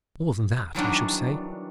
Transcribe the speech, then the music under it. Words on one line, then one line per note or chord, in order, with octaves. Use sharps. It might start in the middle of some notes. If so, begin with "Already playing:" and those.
More than that, I should say.
D#3 E3 F#3 G3 D4